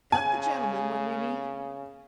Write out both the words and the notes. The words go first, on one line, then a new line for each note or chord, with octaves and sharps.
Cut the gentleman when we meet?
C#3 G#5